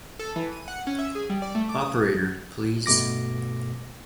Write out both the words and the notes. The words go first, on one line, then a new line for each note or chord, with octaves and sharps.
Operator, please.
A4
E3
D#7
F#5
C#4
E5
G#4
G3
D5
A3
D6
D#6
G2 B2 A3 D6 A#6